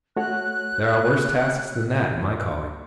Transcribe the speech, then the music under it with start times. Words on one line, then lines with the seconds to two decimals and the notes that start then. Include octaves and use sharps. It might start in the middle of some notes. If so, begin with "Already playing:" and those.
There are worse tasks than that, in my calling.'
0.16 A3 F#4 C#5 F#6